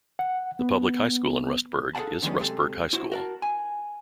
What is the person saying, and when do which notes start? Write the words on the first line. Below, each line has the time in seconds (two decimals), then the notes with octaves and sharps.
The public high school in Rustburg is Rustburg High School.
0.19 F#5
0.59 B3
1.95 G#4 A4 D#5 F5 F#5 A5
2.22 D3 D#3 F#3 G#3 B3 C#4
2.39 C3 G#3 C4 A4
2.93 E4 F#4 C5
3.12 F#4 A#4 A5
3.42 G#5